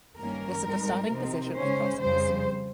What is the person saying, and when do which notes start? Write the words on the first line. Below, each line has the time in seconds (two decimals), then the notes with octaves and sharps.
This is the starting position of Crossings.
0.17 G2 D#3 A#3 C#4 A#4
0.64 G#2 G3 C4 D#4
1.10 C3 F3 C4 D#4
1.56 C#3 G#3 C#4 C5
2.02 F2 C#3 G3 C5